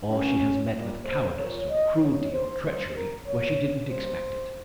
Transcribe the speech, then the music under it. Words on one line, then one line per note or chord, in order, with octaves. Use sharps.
Or she has met with cowardice or cruelty or treachery where she didn't expect it.
G2 G3 A#3 C#4
A#2 G3 A#3
C5
A#2 F3 A#3 C#5
D#5
D#2 C#3 G3 A#3 C#5
C5
G2 G3 A#3 C5
A#4
A#2 F3 A#3 C#5
G2 G3 A#3 C5